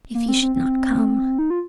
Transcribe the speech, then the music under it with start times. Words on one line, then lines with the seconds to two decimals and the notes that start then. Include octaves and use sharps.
If he should not come!
0.15 A#3
0.29 C4
0.42 C4
0.55 C4
1.39 D#4
1.50 F4